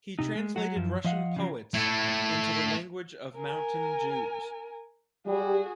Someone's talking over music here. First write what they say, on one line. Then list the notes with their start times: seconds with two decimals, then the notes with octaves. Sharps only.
He translated Russian poets into the language of Mountain Jews.
0.19 C3 D#4
0.35 G#3
0.56 F#3 F#4
0.76 F#2 F3
1.04 F3 D#5 F5 F#5
1.36 C#3 F3 F#3
1.74 A3 E4
3.37 A#4 G#5
5.27 G3 F#4 G#4